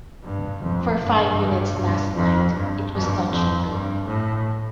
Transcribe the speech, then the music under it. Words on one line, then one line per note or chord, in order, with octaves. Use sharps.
For five minutes last night it was touch and go.
G2
F2
G2
G2
F2
G2
G2
F2
G2
A2